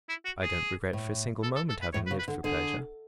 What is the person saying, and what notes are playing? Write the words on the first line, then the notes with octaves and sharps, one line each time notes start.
I don't regret for a single moment having lived for pleasure.
E4
F#4
G#4
A2
A4
A4
A4
B4
A2 C#5
B4
C#3
B4
D3
D3 G#4